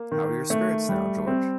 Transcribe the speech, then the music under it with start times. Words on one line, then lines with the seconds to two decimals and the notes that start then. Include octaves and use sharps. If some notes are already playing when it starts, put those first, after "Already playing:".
How are your spirits now, George?
Already playing: A#3
0.12 D#3
0.50 A3
0.89 G3
1.27 C4